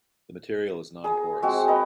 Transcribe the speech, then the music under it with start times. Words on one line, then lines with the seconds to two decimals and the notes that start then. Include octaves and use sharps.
The material is non-porous.
1.04 G#4 A#5
1.43 G#3 C4 F#4
1.68 B4 D#5 A#5